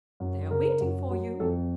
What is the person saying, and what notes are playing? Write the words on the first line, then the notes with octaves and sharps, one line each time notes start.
They are waiting for you.
F#2
C#3 A#4
F#2
F#3
F2 A4